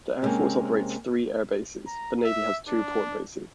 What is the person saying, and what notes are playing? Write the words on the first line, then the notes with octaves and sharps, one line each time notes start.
The air force operates three air bases; the navy has two port bases.
C3 G3 G#3 A#3 C4 C#4
A#5
E5
D4